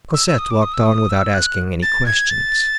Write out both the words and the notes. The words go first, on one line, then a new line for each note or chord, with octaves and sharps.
Cosette walked on without asking any questions.
E6
E6
D#6
D6
D#6
E6
D#6
E6
F#6
A6
G#6
A6